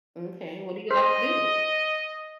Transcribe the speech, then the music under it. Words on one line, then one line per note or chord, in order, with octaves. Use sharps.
M'kay, what do you like to do?
C5 D#5